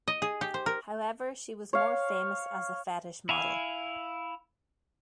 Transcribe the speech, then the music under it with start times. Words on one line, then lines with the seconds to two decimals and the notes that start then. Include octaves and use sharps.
However, she was more famous as a fetish model.
0.08 D#5
0.22 G#4
0.41 G4
0.54 C5
0.66 A#4
1.73 C#5 F5
3.29 E4 F5 G#5